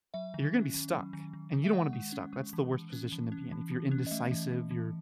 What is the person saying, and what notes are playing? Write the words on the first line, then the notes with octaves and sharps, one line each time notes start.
you're gonna be stuck," and you don't wanna be stuck. That's the worst position to be in. If you're indecisive, you're
F#3 E5
D#3
C#4
D#3
F#3
D#3
D#3
D#3
E5
G#3 F#5
G#3
C#4
G#3
E3
E3
C#4
E3
C#4
E3
E3
C#4
D#5
A3 E5
E3
E3
E3